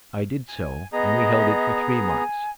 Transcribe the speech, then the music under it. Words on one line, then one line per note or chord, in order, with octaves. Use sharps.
I did so, and we held it for three months.
G#5
B3 G#4 D#5 A#5
G#5